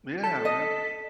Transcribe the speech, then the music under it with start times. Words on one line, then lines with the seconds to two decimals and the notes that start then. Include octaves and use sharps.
Yeah, man.
0.23 A4 A5 B6
0.45 D#5